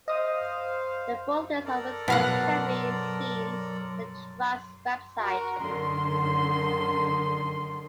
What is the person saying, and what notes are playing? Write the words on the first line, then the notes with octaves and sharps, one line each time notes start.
The full list of reserves can be seen at the Trust's Website.
C5 D#5 F5 D#6
A4 A#4 D5
B2 F#3 F5 F#5
F#4 A#4
F#2 D3 D#3 C6